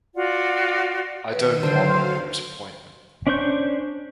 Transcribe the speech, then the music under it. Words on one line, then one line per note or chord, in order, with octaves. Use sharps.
I don't want the mayor's appointment.
F4 F#4 D5 F#5
D#3 B4 E6 D#7
D3 F#3 C5 F5 G5
C#4 D4 C5 C#6 G6